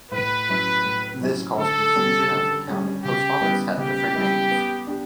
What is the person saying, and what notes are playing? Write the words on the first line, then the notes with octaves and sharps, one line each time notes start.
This caused confusion, as the town and post office had different names.
A2 B4
F#3 C#4 E4
A2
F#3 C#4 E4
D3 A4
G3 C#4
D3
G3 C#4
C#3 G4
G3 B3 E4 B4
C#3 G4
G3 B3 E4 B4
B3
D4 G4